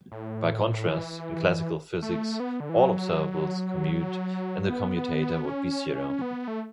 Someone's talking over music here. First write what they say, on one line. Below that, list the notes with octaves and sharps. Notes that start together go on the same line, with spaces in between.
By contrast, in classical physics, all observables commute and the commutator would be zero.
A2
E3
A3
B3
D3
E3
F#3
B3
C#4
C#4
B3
A3